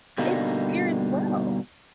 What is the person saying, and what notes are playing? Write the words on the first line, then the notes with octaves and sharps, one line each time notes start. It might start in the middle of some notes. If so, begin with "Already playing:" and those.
It's fear as well.
G2 B2 D3 G3 A#3 D#4